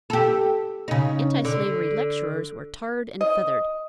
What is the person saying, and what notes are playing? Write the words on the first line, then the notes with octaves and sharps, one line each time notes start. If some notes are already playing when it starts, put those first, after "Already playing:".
Anti-slavery lecturers were tarred and feathered.
G4 A4
C#3 D#4
D3
D#5